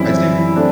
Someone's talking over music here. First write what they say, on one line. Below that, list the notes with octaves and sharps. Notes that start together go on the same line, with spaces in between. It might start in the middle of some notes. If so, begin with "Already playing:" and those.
I'd say
Already playing: F#2 E3 G3 C4 E4
A3 C4 D4